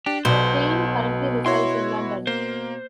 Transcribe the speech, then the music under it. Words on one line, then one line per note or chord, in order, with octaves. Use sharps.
Caine currently resides in London.
D4 G4
B1 B2 C5
E4 F#4 C#5 C6
A#3 C5